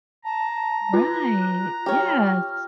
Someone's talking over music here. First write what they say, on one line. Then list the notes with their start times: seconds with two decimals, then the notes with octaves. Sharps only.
Right. Yes.
0.24 A5 A#5
0.93 F4 F#6
1.86 G4 C#5 F6